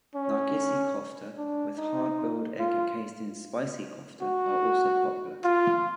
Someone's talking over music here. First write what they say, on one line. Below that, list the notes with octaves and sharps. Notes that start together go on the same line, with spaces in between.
Nargisi kofta with hard boiled egg encased in spicy kofta are also popular.
C#4
D4
D#4
F4
F#4
F4